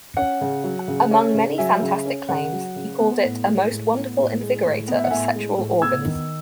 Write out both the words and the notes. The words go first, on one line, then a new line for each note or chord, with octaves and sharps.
Among many fantastic claims, he called it a most wonderful invigorator of sexual organs.
C#4 F#5
C#3
F#3
C#3
C#4
C#3
F#3 E5 G#5
C#3
C#4
C#3 F#5
F#3
C#3
B3
A2
G#3
A2
B3
A2
G#3
A2
B3
E5
F#5
A2 E5 G#5
G#3
A2
B3 E6 G#6
D#3